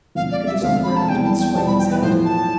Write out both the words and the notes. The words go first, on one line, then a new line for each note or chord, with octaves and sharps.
Kutuzov groaned and swayed his head.
E1 D2 D3 F3 C4 F5
D5
E5
E1 D2 D3 F3 C4 F5
B5
A5
E2 B2 G3 G5
A5
G5
E2 B2 G3 A5
B5
G5
B4
B1 A2 F3 C5
A5